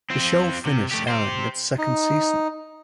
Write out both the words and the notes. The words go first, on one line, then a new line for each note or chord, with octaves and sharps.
The show finished airing its second season.
C4 F4
C3
A3 G4
G4 C5
D#4